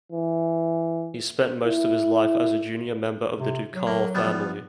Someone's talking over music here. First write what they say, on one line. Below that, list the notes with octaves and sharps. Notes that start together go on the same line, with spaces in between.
He spent most of his life as a junior member of the ducal family.
E3
E4
C3
F#3
A#3
F3 G3 B3